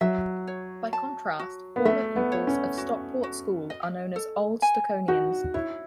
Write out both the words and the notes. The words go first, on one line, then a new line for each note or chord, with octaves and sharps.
By contrast, former pupils of Stockport School are known as Old Stoconians.
F#3 E5
C#5
A5
F#4
B3
A3 E5
B3
C#5
C#4
F#4
F#4
D#5
A4
G#5
D#4 F#4
E4 C#5